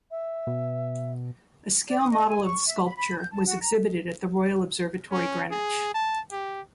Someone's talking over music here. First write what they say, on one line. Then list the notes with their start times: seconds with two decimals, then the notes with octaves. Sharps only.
A scale model of the sculpture was exhibited at the Royal Observatory Greenwich.
0.11 E5
0.47 B2
1.87 D5
2.00 D#6
2.11 D#5
2.27 G#5
2.45 C#6
2.68 E5
2.84 B5
2.97 B5
3.18 G6
3.32 A5
3.46 F#4
3.61 A#5
5.11 C#4
5.51 G#4
5.94 A5
6.32 G4